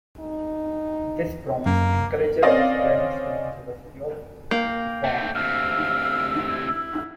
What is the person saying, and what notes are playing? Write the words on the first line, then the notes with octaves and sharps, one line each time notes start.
This promise encouraged his parents to move to the city of Isfahan.
D#4
F#2 A#3
C4 C#4 D5 D#5 F5
A#3 G5
A3 C4
D2 C3 F5 E6
E4